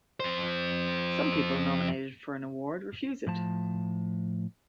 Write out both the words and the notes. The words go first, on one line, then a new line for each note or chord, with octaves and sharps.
Some people nominated for an award refuse it.
F2 C5
A2 F3 A5